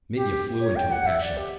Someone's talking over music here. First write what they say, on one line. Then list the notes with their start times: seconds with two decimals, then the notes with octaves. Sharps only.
Mitya flew into a passion.
0.15 G4
0.61 C#5
0.76 G5
0.91 F#5
1.06 E5
1.22 D5
1.37 G4